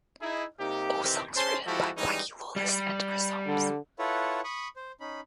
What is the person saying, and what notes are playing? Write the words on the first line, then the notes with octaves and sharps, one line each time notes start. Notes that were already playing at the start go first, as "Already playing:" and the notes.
All songs written by Blackie Lawless and Chris Holmes.
D#4 E4 G#4
C3 A#3 D#4 G4
C3 D#3 E3 C4 G4
C#4 G#4 C5 A5 C6
F3 G#3 E4 F#4 G4 A4
E3 G3 G#3 C#4 D#4
G3
D3
E4 F4 A4 B4 C#5 F#5
B5 C#6 D#6
C5
C#4 D#4 B5